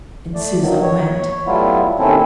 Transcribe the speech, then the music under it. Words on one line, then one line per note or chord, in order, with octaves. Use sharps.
And Susan went.
A3 D5
G2 D#3 F#3
C#5
F#3 G3 A3 B3 E4 F4
D#2 D#3 C4 C#4 E4 A4